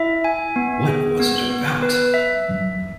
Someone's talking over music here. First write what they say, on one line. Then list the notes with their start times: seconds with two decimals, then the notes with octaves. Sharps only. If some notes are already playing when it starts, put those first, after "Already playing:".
What was it about?
Already playing: E4 E5
0.24 G#5
0.56 B3
0.88 G#4
1.20 B3
1.50 B3
1.82 B4
2.14 E5